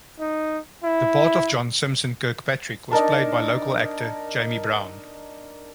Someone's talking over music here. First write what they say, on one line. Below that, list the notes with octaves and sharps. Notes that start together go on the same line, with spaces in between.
The part of John Simpson Kirkpatrick was played by local actor Jamie Brown.
D#4
E4
D4 D#4 A#4 A5